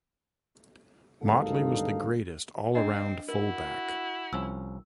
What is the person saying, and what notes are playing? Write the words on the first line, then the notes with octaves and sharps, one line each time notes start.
Motley was the greatest all-around fullback.
G#1 D2 G2 D#4 A4 F5
C4 D4 D#5
E4 F#4 A#4
C2 F3 C#4 E6